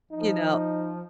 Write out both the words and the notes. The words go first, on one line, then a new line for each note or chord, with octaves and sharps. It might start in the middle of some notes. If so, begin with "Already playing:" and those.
you know
F3 D#4